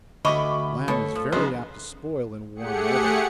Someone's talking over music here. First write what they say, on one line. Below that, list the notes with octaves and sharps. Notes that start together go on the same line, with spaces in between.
Lamb is very apt to spoil in warm weather.
D2 D3 F#4 D#5 E5 B5 C#6 D6
B2 A3 C#5
F3
B1 C#3 B3 D#5 C6
A3 G4 G#4 F#5 C#7